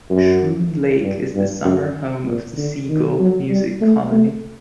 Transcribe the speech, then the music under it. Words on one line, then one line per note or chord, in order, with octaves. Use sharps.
Schroon Lake is the summer home of the Seagle Music Colony.
F#2
G2
G2
F#2
A#2
D3
D#3
F#3
G3
A3
A3